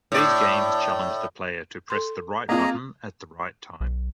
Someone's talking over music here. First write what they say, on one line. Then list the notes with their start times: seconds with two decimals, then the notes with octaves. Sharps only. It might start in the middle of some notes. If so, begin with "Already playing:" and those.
These games challenge the player to press the right button at the right time.
0.12 A2 D5
1.90 A4 C6
2.49 A#3 C4 F4 G#4 D#5 A#5
3.81 B1